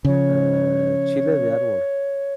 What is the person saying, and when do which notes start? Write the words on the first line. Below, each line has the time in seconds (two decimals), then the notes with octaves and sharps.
u uh, chile de árbol.
0.05 C#3 F3 C#5